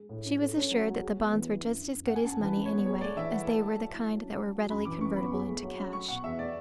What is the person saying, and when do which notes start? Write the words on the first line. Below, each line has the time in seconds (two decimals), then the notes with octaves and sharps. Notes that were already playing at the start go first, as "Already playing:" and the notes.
She was assured that the bonds were just as good as money, anyway, as they were the kind that were readily convertible into cash.
Already playing: G#3
0.09 A2
0.25 C#4
0.41 A4
0.56 C#4
0.71 F#3
0.86 F#4
1.02 G#4
1.17 B3
1.33 E3
1.48 E4
1.63 F#2
1.79 D3
1.93 F#2
2.07 A3 F#5
2.16 G#5
2.24 F#2 A5
2.40 E3
2.45 B4
2.56 F#2
2.66 C#5
2.71 B3
2.86 G#4 C#5
3.01 A3 D5
3.16 E3 E5
3.32 E4 F#5
3.47 A4 A5
3.63 A3
3.79 F#3
3.93 E4
4.09 F#3
4.24 C#4
4.40 F#3
4.55 F#4
4.70 F#2 B5
4.85 E3 D6
5.00 F#2 C#6
5.16 B3 B5
5.32 G#4
5.47 A3
5.62 F#3
5.78 C#4
5.93 C#4 C#6
6.08 B2 F#5
6.24 E2 E5
6.39 A3 D5